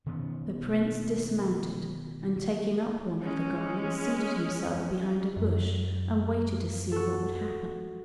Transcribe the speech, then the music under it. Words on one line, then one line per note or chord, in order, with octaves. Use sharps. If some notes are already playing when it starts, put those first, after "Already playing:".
The Prince dismounted, and taking up one of the garments, seated himself behind a bush and waited to see what would happen.
B2 D#3 B3 C#4
G#3 C#4
F#2
F#4 A4